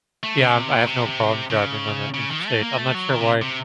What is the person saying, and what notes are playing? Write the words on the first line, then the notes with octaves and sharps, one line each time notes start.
Yeah, um, I, have no problem driving on the interstate, I'm not sure why
A3
C#3
C3
A#2
C3
C#3
C#3
D#3
A3
A#3
A3
F#3
D#3
C3
C3